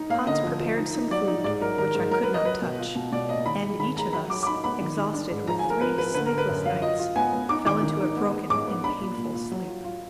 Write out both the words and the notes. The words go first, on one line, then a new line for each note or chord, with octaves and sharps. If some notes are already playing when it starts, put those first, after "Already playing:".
Hans prepared some food, which I could not touch; and each of us, exhausted with three sleepless nights, fell into a broken and painful sleep.
Already playing: D#4
A#3 F5
D3 D#5
F3
F3
D#4
D#4
F#3 D5
D#4
G#2 D5
F#3 A#4
D#3 A#4
G#2
F#3 A#4
B4
F#3
D#5
F#3 B4
B2
F4
B2
B2 D5
A#3 D#5
D#3 B5
G#3
D#3 B5
G#3 A#5
F#3 B5
F#3 D6
D6
D#4 B5
B3 B5
D#3
D#3
D4
G#2
F3 A#5
G#5
F3
A#4
F3 B4
F3 B4
D3 B4
A#4
D3
B4
F#2
F#3 F5
F4 D#5
F4
B3 G#5
B3
D#4 D6
D#3 D6
D#3
D#4
B3
B3
G#2 D6
B3
D4 B5
A#2
A#2
A#2
F#3
F4
F4